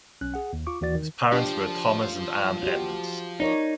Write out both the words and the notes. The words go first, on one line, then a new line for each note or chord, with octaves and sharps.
His parents were Thomas and Ann Edmunds.
B1 C#4 F#6
G#4 F#5
D#2
F4 C#6 D6
D#2 E3 F#4 D5 A6
D#3
F3 D4 G4 C5 D5
F#4 G4
D#4 A#4 C#5 D5